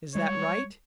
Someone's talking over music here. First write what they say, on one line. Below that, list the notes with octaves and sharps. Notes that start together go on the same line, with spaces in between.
Is that right?
G3 G#3 C#5